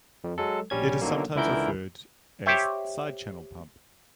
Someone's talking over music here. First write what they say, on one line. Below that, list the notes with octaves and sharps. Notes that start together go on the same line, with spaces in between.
It is sometimes referred as side channel pump.
F2
F#3 G#3 A4
A#1 G3 C#4 G#6
B2 D3 D#3 F#3 A#3
C#2 D3 E3 E4 A#4 G6
G4 C5 C#5 E5 G5